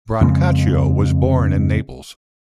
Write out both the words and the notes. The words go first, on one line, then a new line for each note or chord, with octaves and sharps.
Brancaccio was born in Naples.
F2 C#3 G#3